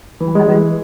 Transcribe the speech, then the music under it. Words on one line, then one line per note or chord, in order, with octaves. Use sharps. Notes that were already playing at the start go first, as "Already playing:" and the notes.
I haven't.
E3
G#3
E3